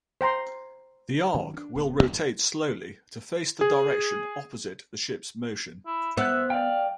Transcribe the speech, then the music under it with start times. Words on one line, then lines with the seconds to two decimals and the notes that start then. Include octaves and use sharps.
The arc will rotate slowly to face the direction opposite the ship's motion.
0.21 C5 G5 A#5 C6
1.35 D#3 F#3 C#4
1.54 C#4 D4
1.75 D1 B3
2.02 G#1 C#2 F#2 F#3
3.61 G#4
5.87 E4
6.17 B3 C5 E5 F#6
6.50 D5 F5 G5